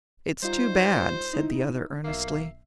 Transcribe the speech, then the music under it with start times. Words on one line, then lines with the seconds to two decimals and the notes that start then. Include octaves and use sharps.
"It's too bad," said the other, earnestly.
0.42 G3 D#4 F4 C5
1.33 D#4 E4
2.04 B1 A#3 E5 C7